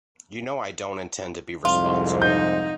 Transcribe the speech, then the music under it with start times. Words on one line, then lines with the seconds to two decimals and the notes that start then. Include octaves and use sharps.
You know I don't intend to be responsible.
1.65 C2 F2 G#2 F4
2.22 D#4 G6